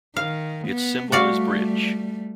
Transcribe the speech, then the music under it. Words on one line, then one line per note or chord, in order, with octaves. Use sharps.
Its symbol is bridge.
D#3 F5
B3
G3 A3 F#4 D5 F5